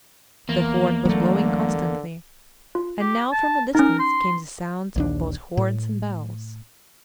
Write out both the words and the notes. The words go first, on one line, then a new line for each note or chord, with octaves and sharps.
The horn was blowing constantly, and now from a distance came the sounds of both horns and bells.
E2 A#3
D3 F#3 A3
F4
G4
A5
C#4 D#4 A#4
C6
A#1 D#2 D4
A2